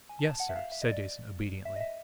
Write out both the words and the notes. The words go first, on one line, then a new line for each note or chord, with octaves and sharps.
"Yes, sir," said Jason obediently.
G#5
A5
A5
F#5
E5
F5
E5
D#5
D5
E5
D#5
E5